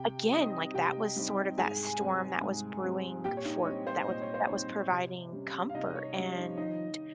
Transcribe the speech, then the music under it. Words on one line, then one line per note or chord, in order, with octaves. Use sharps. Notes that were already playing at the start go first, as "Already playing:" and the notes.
again, like, that was sort of that storm that was brewing for that was that was providing comfort and
Already playing: C3 G4 G5
G3 C4 D#4 D#5 D#6
C3 G4 G5
G3 C4 D#4
G#2 G#4 G#5
G3 C4
G#2
G3 C4
A#2 G4 G5
C#5
D#4 D#5
G3 C4 D#4 C#5
C5
A#2 D#5
C#5
C5
G3 C4 D#4 C#5
C3
G3 C#4
F5
C3 D#4 D#5
D#5
C#5
G3 C#4 C#5
D#4 D#5
D#3 D#4 D#5